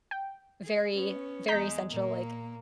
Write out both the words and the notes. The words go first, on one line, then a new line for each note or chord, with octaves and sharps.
very, very central, like,
G5
G#4
B3 C#4
E2 G#3 A#5 G6 B6
A#2 A#3